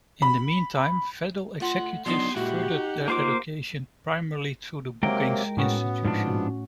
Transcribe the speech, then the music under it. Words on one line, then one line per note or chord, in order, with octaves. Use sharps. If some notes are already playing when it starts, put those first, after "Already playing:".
In the meantime, federal executives furthered their education primarily through the Brookings Institution.
B5
A3 F4 F#5
F#3 B3 D4 D#4 C6
A#2 G#3 E4 F#4 G4 F#5
D#4
A#3 F4 C5 D6
C3 F#3 G#3 A#3 A#4 G5
A2 B3 C#4 F#4
G#2 F3 D4